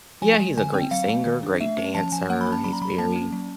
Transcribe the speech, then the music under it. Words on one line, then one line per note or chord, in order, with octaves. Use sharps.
Yeah, he's a great singer, great dancer. He's very
F3 G#5
G#3
D3 G#5
C4 G5
F#3 F5
A3
D#3
D4
A3 E5
C#4
F3 A5
F3 G#5
A#3 F#5
B5
C#4
A5
F#3 B5
A#5
F#3 B5
A#3 A5
C#4
F#3